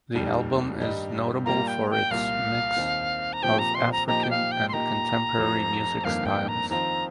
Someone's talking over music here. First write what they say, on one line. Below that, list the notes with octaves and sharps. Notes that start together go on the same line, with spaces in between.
The album is notable for its mix of African and contemporary music styles.
F1 D#2 D#3 G3
G2 D#3 G3 D#4
A#2 G3 A#3 F4 A#5
G5
G5
C2 A#2 A#3 F4 F5
D#2 D#3 C4
A#5
A#2 F3 C4 G4 G5
A#5
C6
A#5
A#2 F3 A#3 D#4 G4 A#5
G5
F5
G5
C6
A#2 A#3 D#4 G4 A#5
F1 F2 F3
G1 F2 D#3 A#3 F5
G5
A#5
F2 D#3 C4 F4 A#5